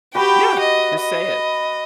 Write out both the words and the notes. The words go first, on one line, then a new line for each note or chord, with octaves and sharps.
Yeah. Just say it.
F#4 G4 B4 G5 B5
D#5
D#5